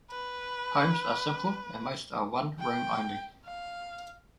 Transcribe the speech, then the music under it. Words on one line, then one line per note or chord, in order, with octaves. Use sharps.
Homes are simple and most are one room only.
B4
G5
F5